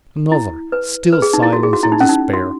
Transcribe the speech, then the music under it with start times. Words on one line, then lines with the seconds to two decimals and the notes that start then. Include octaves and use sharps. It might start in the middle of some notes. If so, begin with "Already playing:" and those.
Another--still silence and despair!....
0.32 E4
0.72 B4
1.13 B4
1.22 G#4
1.33 D#4
1.42 E4
1.53 F#4
1.63 G#4
1.73 F#4
1.83 E4
1.92 D#4
2.00 C#4
2.09 D#4
2.33 F#4